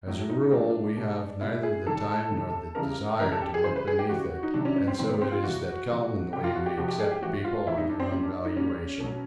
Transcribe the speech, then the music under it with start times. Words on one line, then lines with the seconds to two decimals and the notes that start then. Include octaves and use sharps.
As a rule we have neither the time nor the desire to look beneath it, and so it is that commonly we accept people on their own valuation.
0.07 A2 F#3
0.30 D#4
0.51 A2 F#3 D4
0.96 B2 G3
1.41 B2 G3 E4
1.63 G#4
1.86 C3 D#3 G3 A4
2.31 C3 D#3 G3
2.75 C#3 E3 G3 A#4
3.20 C#3 E3 G3 A#4
3.32 A4
3.42 G4
3.54 G#4
3.64 C#3 E3 G3 C5
3.76 B4
3.87 G#4
3.99 G4
4.09 C#3 E3 G3 F#4
4.43 D#4
4.54 C3 D#3 F#3 D4
4.65 C#4
4.76 C#4
4.87 C4
4.98 C3 D#3 F#3 C4
5.09 B3
5.21 C4
5.32 F4
5.43 C3 E3 G3 F#4
5.88 C3 E3 G3
6.33 C3 F3 G4
6.44 F4
6.56 F#4
6.66 G4
6.77 C3 F3 F#4
6.88 G4
7.00 G#4
7.11 G4
7.22 A2 E3 G3 F#4
7.44 F4
7.67 A2 E3 G3 E4
7.78 D#4
7.89 D4
8.00 C4
8.12 A#2 G3 C#4
8.23 D4
8.45 D#4
8.57 A#2 G3 C#4
9.00 B2 F#3